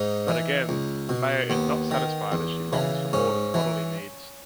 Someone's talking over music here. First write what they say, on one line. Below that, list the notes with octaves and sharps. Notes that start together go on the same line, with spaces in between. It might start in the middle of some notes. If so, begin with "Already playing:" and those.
But again, Maya is not satisfied as she longs for more than bodily needs.
Already playing: G#2 D#4
E3
C#2
B2
D#2 B3
D#3
E2
C#3 E3
G#2 C#4
E3